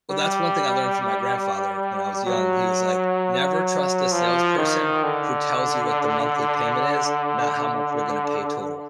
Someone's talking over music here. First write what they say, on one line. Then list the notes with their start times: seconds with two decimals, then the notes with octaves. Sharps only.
Well, that's one thing I learned from my grandfather when I was young, he was, like, "Never trust a salesperson who tells you what the monthly payment is, not how much you're going to pay total."
0.10 G3
2.26 F#3
4.12 F3
4.58 D#3
5.04 D3